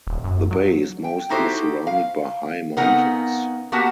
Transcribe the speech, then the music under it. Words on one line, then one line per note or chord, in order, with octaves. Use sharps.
The bay is mostly surrounded by high mountains.
D#1
F#2
F#3
G5
D#4 E4 F#4 G4 A4 C5
F5
C#3 B3 C4 D#4 A#4 F#5
A#3 B3 F#4 G4 F#5 A5